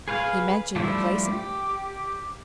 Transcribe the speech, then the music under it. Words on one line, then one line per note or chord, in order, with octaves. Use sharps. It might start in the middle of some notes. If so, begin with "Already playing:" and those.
He mentioned the placing.
G#4 B4 F5
F3 G3 A3 D4 E4
G4